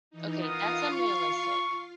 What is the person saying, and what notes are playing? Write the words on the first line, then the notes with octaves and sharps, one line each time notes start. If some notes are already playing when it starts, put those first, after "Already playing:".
Okay. That's unrealistic.
E3 D#4
B3 F4 A#4 F5 D#6
C#6